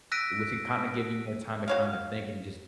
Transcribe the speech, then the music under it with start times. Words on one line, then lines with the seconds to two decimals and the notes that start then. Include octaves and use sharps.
Which it kinda give you more time to kinda think and just
0.12 E6 F#6 A#6 B6 D7 D#7
1.68 F#4 C#5 F5